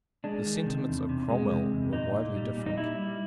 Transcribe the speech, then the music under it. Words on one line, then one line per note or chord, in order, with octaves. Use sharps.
The sentiments of Cromwell were widely different.
G#3 D4
D#3
C3
E2
C3
G#3
C3
E2
A#2 D#4
A#2
G3
A#2
D#4
G3 E4
G3